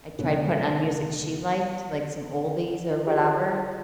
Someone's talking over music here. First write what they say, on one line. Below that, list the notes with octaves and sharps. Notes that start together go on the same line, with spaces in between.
I tried putting on music she liked, like some oldies or whatever.
F1 D3 B3 C#5
F4 G4 G#4 C#5